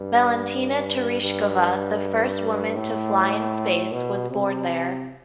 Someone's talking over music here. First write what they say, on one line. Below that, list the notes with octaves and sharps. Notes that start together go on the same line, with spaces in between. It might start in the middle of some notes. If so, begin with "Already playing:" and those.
Valentina Tereshkova, the first woman to fly in space, was born there.
Already playing: G2
G2
A2
B2
C3